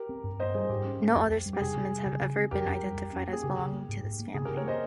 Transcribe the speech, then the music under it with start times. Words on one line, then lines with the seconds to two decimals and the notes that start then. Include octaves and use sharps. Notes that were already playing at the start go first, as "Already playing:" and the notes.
No other specimens have ever been identified as belonging to this family.
Already playing: G4 A#4
0.09 C4
0.24 G2
0.39 A#3 C5 D#5
0.54 G3 G#4 C5
0.69 G#2 G4
0.85 C#4
1.00 G#3
1.15 F2
1.31 F2
1.46 G3
1.53 G4
1.60 C3 G#4
1.76 C3
1.91 G3
2.06 C#3
2.22 C#3
2.36 C4
2.51 F2 G4 A#4
2.67 F2
2.83 G3
2.97 F2
3.13 C#4
3.27 A#3
3.33 G#4
3.43 C#3 G4
3.59 C#3
3.73 A#3
3.89 G#2
4.04 G#2
4.19 A#3
4.34 C#3 G#4
4.45 G4 A#4
4.49 C#3
4.57 A#4 C#5
4.65 A#3 C5 D#5